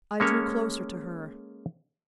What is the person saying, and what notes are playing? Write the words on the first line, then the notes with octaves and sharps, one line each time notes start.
I drew closer to her.
G#3 A#3 C#4 A4 C#5